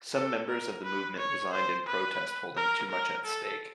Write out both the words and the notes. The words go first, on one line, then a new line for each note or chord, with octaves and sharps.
Some members of the movement resigned in protest, holding too much at stake.
A4
A#4
B4
C#5
C5
B4
A#4
A#4
A4